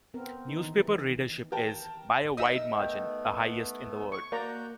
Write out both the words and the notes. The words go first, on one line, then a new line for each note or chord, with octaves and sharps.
Newspaper readership is, by a wide margin, the highest in the world.
B3 C4 A#4
D#3 D#4
E3
A#4 G5 A5
D#4 A#4 E5 D#6 E6
A3 B3 G5
C#6
A#3 F#4 D5 A#5 G6